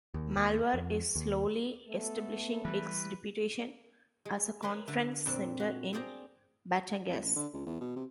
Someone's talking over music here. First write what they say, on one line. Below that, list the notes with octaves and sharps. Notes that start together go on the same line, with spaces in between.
Malvar is slowly establishing its reputation as a conference center in Batangas.
D#2
D#2
F2
D#2
A3 B3 A4
E3 G3 B4
G#3
A#4 B4 C#5 C6
D3 A3
F2 A#2 C4 D4 A4
F#4
C4 G#4 D5 G5 A#5
F2
A1
D3
C#2
E2
B2
C3